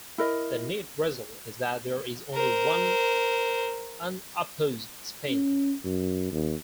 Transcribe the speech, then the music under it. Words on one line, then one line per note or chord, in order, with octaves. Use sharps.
The net result is that there is only one unopposed spin.
E4 A#4 D#5
A#4 C5
C#4
F#2
D#2